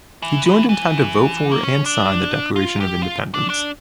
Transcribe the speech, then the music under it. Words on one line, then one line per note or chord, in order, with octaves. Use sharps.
He joined in time to vote for and sign the Declaration of Independence.
E3
E3
E3
A#3
C#4
D4
F4
G4
F4
D4
D4